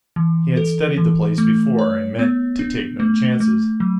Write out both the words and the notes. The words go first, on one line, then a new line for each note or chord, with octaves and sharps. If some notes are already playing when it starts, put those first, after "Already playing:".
He had studied the place before, and meant to take no chances.
E3
A4
E3
A3
C#5
B3
D4
A3
A3
F#3